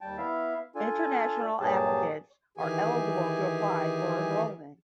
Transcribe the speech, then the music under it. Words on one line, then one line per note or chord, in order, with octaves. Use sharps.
International applicants are eligible to apply for enrollment.
D#2 G3 G5 A5
B3 E4 E5 F5
D4 F4 A4 G#5
G2 A#2 F#3 G4 G#4 A5
D#3 E3 G4 G#4 G#5